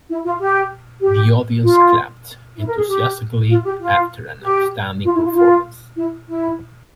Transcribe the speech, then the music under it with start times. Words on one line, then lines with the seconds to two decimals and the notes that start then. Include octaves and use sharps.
The audience clapped enthusiastically after an outstanding performance.
0.09 E4
0.24 F4
0.39 G4
1.01 G4
1.63 F4
2.56 E4
2.66 A#4
2.76 G#4
2.87 G4
3.49 F4
3.64 G4
3.80 F4
4.42 G4
5.04 F4
5.14 E4
5.24 F4
5.30 E4
5.35 F4
5.96 E4
6.27 E4